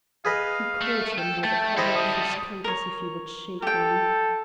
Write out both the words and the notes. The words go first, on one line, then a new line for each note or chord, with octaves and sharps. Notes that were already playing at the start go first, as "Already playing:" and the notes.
He caught him by the collar of his coat as if he would shake him.
G#4 B4 D#5 F5
A3
A4 G5
A3 A5
G3 E4 A4 C5 D#5 G5
D#6
A#4 C#5
G4 A4 G5